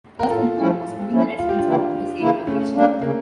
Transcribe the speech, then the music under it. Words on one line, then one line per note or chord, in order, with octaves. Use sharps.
First and foremost moving the residents out to a safe location.
A#4
A2 F4 A4
F3 A3 C#4 E4
A2
F3 A3 C#4 E4
D2 F4
G4
D4 F4
C#3 E3 A#3 E4
D2
C#3 E3 A#3 E4
C#3 A3 C#4
G3 A#3 D4
C#3 A#3